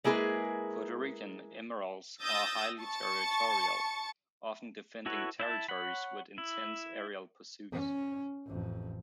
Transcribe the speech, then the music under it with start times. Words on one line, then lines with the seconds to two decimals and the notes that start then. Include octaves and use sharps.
Puerto Rican emeralds are highly territorial, often defending territories with intense aerial pursuits.
0.04 G#3 A#3 E4 G#4 A4 B4
2.20 D#6 E6 G6 A6 A#6
2.81 A5 C#6 A6 C#7
5.06 E4 F#4 A4 B4 C#5
5.40 E4 E5 A5
5.69 C#5 F#5 B5
6.38 E4
7.72 C#4
8.46 A1 F2